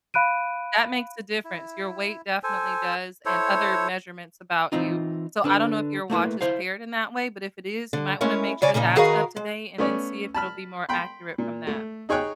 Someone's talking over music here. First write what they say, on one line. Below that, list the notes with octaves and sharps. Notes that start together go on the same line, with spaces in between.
that makes a difference. Your weight definitely does and other measurements about you, so I don't know if your watch is paired in that way, but if it is, you might wanna make sure that's up to date and then see if it'll be more accurate from that.
F5 B5 F#6 D7 D#7
E4
A4 C5 G#5
E4 A4 C5 C#5
E3 C4 D#4 F4
D3 D4 B4
A3 A#3 E4 B4
E4 C5 F5
D3
G#3 A3 C#4 E4 A#4
C#3 C#5 D5 G#5
A#2 C#3 A#3 D#4
D#3 F#4 G#4 A#4 B4 F5
G#3
A3 B3 C#4 C#5 D5
A5 B5 F6
G5 B5 C6
A#2
A3
D#4 G#4 C#5 G5 C#6 F#6